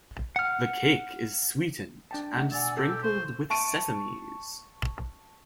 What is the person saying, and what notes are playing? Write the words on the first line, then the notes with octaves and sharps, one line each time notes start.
The cake is sweetened and sprinkled with sesames.
F#5 F6
D4 G5 A5
A3 F#5
B2 D5 F#5 G#5 E6
G4 A4 E6
C5 C#6
A5 C#6 D7 D#7